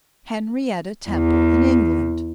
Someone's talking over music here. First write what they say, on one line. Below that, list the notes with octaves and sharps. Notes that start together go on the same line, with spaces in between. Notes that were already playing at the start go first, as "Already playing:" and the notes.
Henrietta Temple in England!
E2